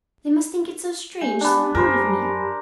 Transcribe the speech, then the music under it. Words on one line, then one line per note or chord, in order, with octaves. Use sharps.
They must think it so strange, so rude of me!
G#3 G4 G#5
B3 D4
F#2 G4 A#4 C5 G#5 B5